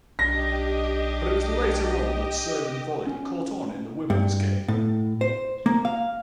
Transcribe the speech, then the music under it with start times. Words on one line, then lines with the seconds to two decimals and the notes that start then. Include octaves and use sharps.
But it was later on that serve and volley caught on in women's game.
0.19 B1 D4 G4 D#5 A#6
3.07 C#4
4.10 G2
4.68 A2
5.21 C5
5.66 A#3
5.85 F5